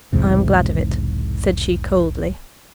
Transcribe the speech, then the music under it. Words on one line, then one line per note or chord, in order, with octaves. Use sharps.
'I am glad of it,' said she, coldly.
B1 E2 G#2 C3